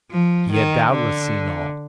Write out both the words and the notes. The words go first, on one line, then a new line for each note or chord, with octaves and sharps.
He had doubtless seen all.
F3
D#3
D3